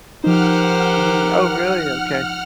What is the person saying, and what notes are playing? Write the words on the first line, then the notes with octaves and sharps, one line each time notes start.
Mm, oh, really, okay.
F3 D#4 G4 A#4 C5 F#5 F6